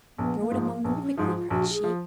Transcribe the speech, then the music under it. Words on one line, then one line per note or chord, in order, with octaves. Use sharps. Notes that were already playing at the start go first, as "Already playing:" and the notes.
"Throw it among them quickly!" cried she.
A#1 B3
A#3
G#2 F3
A#3
A#1 B3
D#4
C#4
G#2 F3 D#4
F#4
F4
A#1 F#4
F#4
G#4
F3